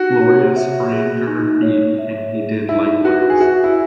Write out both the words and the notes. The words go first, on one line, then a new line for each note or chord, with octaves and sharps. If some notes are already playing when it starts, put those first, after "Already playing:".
Gloria sprang to her feet and he did likewise.
Already playing: D#4 F#4
C#5
E5
G#4
D#4
C#5
E5
G#4
D#4 E4
F#4 B4
G#4
F#4 E5
E4